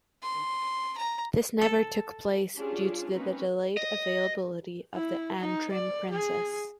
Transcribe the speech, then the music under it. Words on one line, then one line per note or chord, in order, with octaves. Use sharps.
This never took place due to the delayed availability of the "Antrim Princess".
C6
A#5
A4
C#4 D4 F4 G4 G#4
A#3 C4 C#4 D#4 F#4 B4
D#5
E4
D#4
D5
G#4